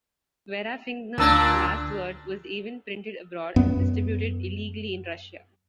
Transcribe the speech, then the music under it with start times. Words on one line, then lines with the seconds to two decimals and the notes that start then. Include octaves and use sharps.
Vera Figner's last word was even printed abroad and distributed illegally in Russia.
1.18 D2 A#2 D4 E6
3.56 F#2 B3